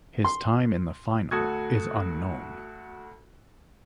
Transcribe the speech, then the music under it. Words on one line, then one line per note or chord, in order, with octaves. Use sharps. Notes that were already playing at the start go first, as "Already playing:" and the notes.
His time in the final is unknown.
C6
D2 F#4 A4 D#6 G#6